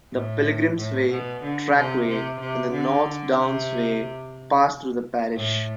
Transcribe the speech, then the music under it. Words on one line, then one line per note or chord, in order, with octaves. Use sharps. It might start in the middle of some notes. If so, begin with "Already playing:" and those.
The Pilgrims' Way trackway and the North Downs Way pass through the parish.
A2
A2
B2
D3
C3
C3
C3
D3
C3
A2